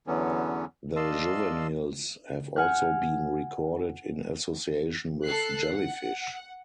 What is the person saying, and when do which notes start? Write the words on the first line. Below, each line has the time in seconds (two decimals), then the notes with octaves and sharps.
The juveniles have also been recorded in association with jellyfish.
0.07 E2 D3 E3 F#3 B3 C#4
0.96 D5 D#5 F5 A5 C6 E6
2.56 F#5 G#5 F6 F#6
5.24 A4 F#6 C7
5.74 F#5